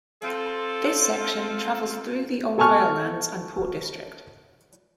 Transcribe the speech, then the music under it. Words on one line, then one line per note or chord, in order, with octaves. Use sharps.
This section travels through the old rail lands and port district.
C4 F4 A4
A4 G#5 A5 C#6 F6